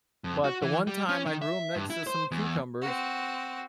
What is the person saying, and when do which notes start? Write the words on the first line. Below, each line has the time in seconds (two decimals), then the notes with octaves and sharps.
But the one time I grew 'em next to some cucumbers,
0.24 F2
0.44 F#4
0.62 E3
0.87 G3
1.09 C#4
1.26 D#3
1.42 E5
1.76 G2
1.90 E4
2.07 C5
2.31 E2
2.82 C4 F#4